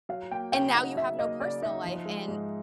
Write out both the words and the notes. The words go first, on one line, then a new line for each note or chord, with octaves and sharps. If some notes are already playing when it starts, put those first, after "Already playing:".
And now you have no personal life and
F#3 F5
A#3 G5
C#3 G5
D#4 F#5
F#3 E5
A#3 D#5
C#3 D5
D#4 E5
F3
G#3
G#2